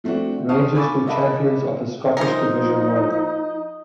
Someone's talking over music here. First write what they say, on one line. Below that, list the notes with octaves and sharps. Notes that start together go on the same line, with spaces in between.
Rangers were champions of the Scottish Division One.
F3 A3 C4 D4 F#4
F5 A5 C6 C#6 D#6 F6
G#5 B5 C#6 D6 E6 A6
A#4 D#5 E5 F#5 A5 B5
F3 D#4 A#4 C5 D#5